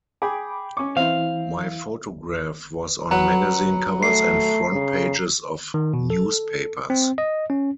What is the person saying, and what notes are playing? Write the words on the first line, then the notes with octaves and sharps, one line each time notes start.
My photograph was on magazine covers and front pages of newspapers.
G#4 G5 B5 D6
C#4 C#6 D6
E3 C4 E4 F5
F#3 B4 F#5 A#5
A3 C7
C#3
D#3
B2
A4
C4
D#5
C#4